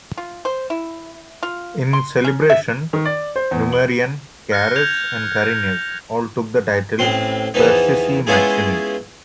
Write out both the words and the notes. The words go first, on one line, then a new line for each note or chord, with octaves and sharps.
In celebration, Numerian, Carus, and Carinus all took the title "Persici maximi".
F4
C5
E4
F4
C6
C#4
E5
D#3
D5
C5
E2
F#7
F6 F#6 A#6 C#7
G6 G#6 F7
A1 A2 C4 C6
E2 E3 F3 B3 D#4
G#3 B3 C#4 E4 F4 G#4